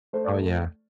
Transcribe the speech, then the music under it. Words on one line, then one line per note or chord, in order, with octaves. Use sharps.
Oh, yeah.
A3 C5
D5